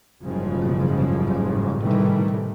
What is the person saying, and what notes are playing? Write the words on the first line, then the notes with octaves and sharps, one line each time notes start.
A group of people gather around a table.
F#1 G#2 C#3 F3 G3 G#3
A2 C3 D#3 E3 G3 A3